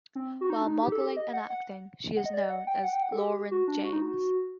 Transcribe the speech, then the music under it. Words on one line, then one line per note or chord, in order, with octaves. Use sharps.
While modeling and acting, she is known as Lauren James.
C4
F#4
D#4
D4
D#4
G4
A4
G4
D#5
F#5
F#5
F#5
D#5
D5
D#5
F#5
G5
F#5
G5
F#5
A4
G4
F#4
D4
F#4
D#4
F#4